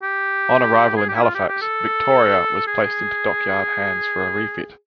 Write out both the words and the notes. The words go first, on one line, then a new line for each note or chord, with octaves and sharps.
On arrival in Halifax, "Victoria" was placed into dockyard hands for a refit.
G4
G#4
G4
E4
F4
G4
G4
A4
G#4